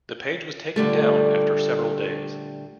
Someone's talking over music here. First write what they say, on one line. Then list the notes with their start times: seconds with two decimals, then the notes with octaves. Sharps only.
The page was taken down after several days.
0.76 A#2 D3 G3 A3